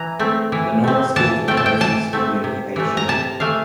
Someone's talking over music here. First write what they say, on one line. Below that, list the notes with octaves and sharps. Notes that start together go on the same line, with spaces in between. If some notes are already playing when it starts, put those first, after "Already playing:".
Lenora schools were closed through school unification.
Already playing: E3 A#5
A3 C4
E3
A3 C4
E3 A5
A3 C4 G5
A5
G5
E3 A5
A3 C4
C3
E3 A3
A#5
C3 A5
E3 A3 F5